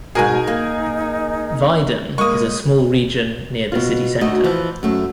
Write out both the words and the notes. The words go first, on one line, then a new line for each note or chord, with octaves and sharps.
Wieden is a small region near the city centre.
G#2 B2 D#4 G#4 A#4 G#5
A#3
G#3 A#3 A#4 C#6 D#6
B2 F4
D2 A3 D#4 F#4 D#5
E3 F3
F#2 A3